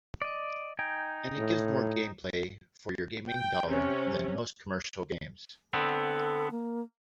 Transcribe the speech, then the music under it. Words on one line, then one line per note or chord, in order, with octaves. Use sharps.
And it gives you more gameplay for your gaming dollar than most commercial games.
D5 D#5
D#4 G5 G#5
A2
G5
C3 C#4
D3 B3 C4 A4
A#3